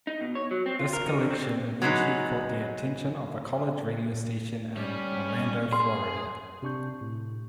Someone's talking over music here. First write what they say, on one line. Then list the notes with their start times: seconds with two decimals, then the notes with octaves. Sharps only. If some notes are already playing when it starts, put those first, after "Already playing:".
This collection eventually caught the attention of a college radio station in Orlando, Florida.
0.07 D#4
0.21 B2
0.35 C#5
0.51 F#3
0.66 C4
0.79 F4
0.93 A#4
1.07 D#4
1.19 D3
1.30 C4
1.82 F#3 G#3 B3 D#4
4.77 G3 C#4
5.73 G#4 C6
6.62 C3 D4 C#6 G6
7.01 A2